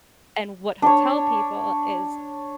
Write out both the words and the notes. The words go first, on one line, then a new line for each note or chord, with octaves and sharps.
and what he'll tell people is,
D4 C#5